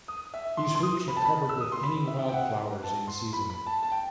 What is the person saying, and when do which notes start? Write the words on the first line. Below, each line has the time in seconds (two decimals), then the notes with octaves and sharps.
These hoops are covered with any wildflowers in season.
0.08 D#6
0.34 E5
0.57 C6
0.75 C6
0.83 D#6
1.08 B5
1.17 A5
1.25 B5
1.49 E6
1.60 D#6
1.72 C6
1.83 B5
2.07 E5
2.28 G5
2.33 F#5
2.83 A5
3.08 C6
3.33 B5
3.50 B5
3.67 A5
3.83 A5
3.92 G5